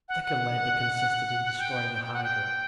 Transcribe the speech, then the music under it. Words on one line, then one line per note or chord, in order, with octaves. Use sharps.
The second labor consisted in destroying a hydra.
F#5
F#5
G5
G5
F#5
G5